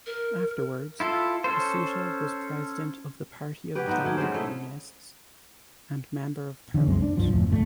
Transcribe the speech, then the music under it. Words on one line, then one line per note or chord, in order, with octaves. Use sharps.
Afterwards, Cossutta was president of the Party of Italian Communists, and Member of Parliament.
A#4
E4 F4 A4
C#4 A4 C5
B3 C#4 G4 B4
A3 B3 C4 D#4
F#3 A3 A#3 C#4
C#3 G#3 B3 C5
A3 E4
D3 E3 C#4
C2 F#2 G#3 C4
D4
C2 G2 F3
D1 F2 A2
G1 C2 C3 A3